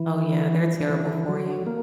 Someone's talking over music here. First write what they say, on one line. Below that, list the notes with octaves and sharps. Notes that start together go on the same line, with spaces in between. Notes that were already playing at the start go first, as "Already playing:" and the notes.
Oh yeah, they're terrible for you.
Already playing: E3
D3
E3
F#3
A#3